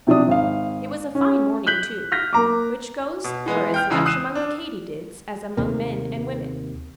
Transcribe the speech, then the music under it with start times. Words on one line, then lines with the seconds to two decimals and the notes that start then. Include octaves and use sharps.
It was a fine morning, too, which goes for as much among the Katy-dids as among men and women.
0.07 C3 F3 D4 D#6
0.28 G#1 F5
1.15 C#4
1.67 F#6 G6 B6 F#7
2.12 F6 G6 A#6 B6
2.33 A#3 A#5 D6
3.24 B2
3.46 E3 G#3 B3
3.74 G5 F6 G6
3.90 E2 C#3 E3 G#3 E6
4.06 D#6 F#6 C7 D#7 E7
4.35 D4
5.57 D#2 C3 A#3